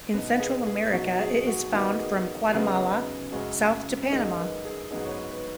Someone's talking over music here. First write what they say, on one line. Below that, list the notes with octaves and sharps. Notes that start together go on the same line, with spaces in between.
In Central America it is found from Guatemala south to Panama.
B2 B3 D#4 B4
B4
G#4
G#4
B2 F#3 D#4 F#4
G#4
F#4
D#3 B3 D#4 F#4
G#4
C#3 F#3 B3 D#4 G#4
F#2 C#3 G#3 F#4
F#2 D#3 G#3 D#4 G#4
B4
G#4
G#2 F#3 B3 D#4 G#4
C#5
B4
B4